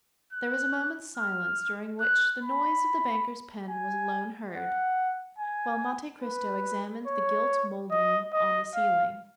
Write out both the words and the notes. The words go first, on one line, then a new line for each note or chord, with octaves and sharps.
There was a moment's silence, during which the noise of the banker's pen was alone heard, while Monte Cristo examined the gilt mouldings on the ceiling.
F#6
F6
F#6
B5
G#5
F#5
G#5
B4
C#5
D#5
D#5
F5